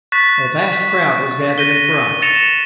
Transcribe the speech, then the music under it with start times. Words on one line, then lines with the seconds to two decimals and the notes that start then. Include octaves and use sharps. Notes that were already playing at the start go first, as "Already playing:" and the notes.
A vast crowd was gathered in front.
0.12 C#6 F#6 A6 B6
1.58 A#6 D#7 G7
2.22 A6 A#6 C#7 E7 F7